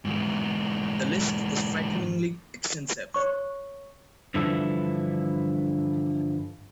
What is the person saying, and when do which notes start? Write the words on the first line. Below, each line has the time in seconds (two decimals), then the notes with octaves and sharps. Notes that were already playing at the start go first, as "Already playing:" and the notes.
The list was frighteningly extensive.
0.05 G#2 E3
3.14 C#5 C#6
4.34 G2 D3 E3 F3 E4 A4